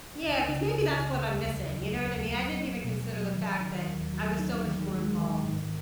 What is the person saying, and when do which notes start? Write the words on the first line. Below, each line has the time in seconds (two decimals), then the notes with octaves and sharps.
Yeah, 'cause maybe that's what I'm missing, you know what I mean? I didn't even consider the fact that I was so much more involved,
0.23 C#2
0.49 C#3
0.75 C#3
1.01 C#2
1.26 D#2
1.53 F#3
1.79 F#3
2.05 D#2
2.31 F#3
2.57 A#3
2.84 B2
3.09 F#3
3.35 D#3
3.61 D#3
3.87 D#2
4.13 F#3
4.39 D#4
4.66 D#3
4.91 G#3
5.18 D#3
5.43 G#2